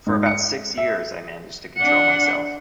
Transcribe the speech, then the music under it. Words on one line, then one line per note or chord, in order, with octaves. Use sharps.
For about six years I managed to control myself.
G#2
C#7
E5
D4 F#5